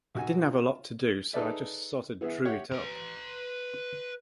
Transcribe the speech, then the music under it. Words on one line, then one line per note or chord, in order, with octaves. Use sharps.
I didn't have a lot to do, so I just sorta drew it up.
B1 F#4 G#5
F4
D#4 G#4 A4 B4 D5 E5
E3 B3 G#4 E5
G4 C#5 E5 F#5
B4 A#5